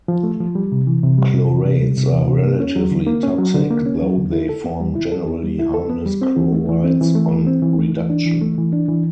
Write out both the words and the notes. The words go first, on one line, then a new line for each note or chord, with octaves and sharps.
Chlorates are relatively toxic, though they form generally harmless chlorides on reduction.
F3
A3
F3
G3
C3
E3
C3
G3
C3
E3
C3
G3
C3
E3
C3
A#3
C#4
F#3
D3
A#3
C#4
F#3
D3
A#3
C#4
F#3
D3
E4
A4
B3
G3
E4
A4
B3
G3
E4
A4
B3
G3
C4
E3
A3
E3
C4
E3
A3
E3
C4
E3
A3
E3
D4
E3
A3
E3
D4
E3